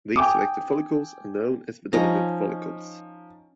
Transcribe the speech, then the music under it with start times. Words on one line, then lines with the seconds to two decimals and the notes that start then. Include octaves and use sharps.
These selected follicles are known as the dominant follicles.
0.16 G5 G#5 D6 D#6
1.93 F3 C#4 D#4 A#5